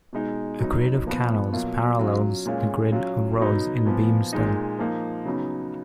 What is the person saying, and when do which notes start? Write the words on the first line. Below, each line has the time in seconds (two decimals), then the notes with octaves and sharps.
A grid of canals parallels the grid of roads in the Beemster.
0.13 B2 G#3 D#4
0.59 F#3 B3 D#4
1.06 A#2 F3 B3
1.52 B2 F#3 A#3 F4
1.99 F#3 C#4 F4
2.45 A#2 G#3 C#4 F4
2.92 F#3 C#4 F4
3.39 B2 F#3 B3 D#4
3.86 A#2 F3 B3
4.33 A#2 G#3 D#4
4.79 F3 A#3 D#4
5.25 C#3 F#3 B3 D#4